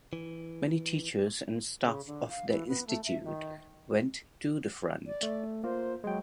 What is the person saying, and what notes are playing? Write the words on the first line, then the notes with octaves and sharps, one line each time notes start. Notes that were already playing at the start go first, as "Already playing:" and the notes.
Many teachers and staff of the Institute went to the front.
E3
C#3
D3
F5
E3
B3
A3
E5
D#3
D5
A3
A#3 F4 C5
F#3 G#3 G5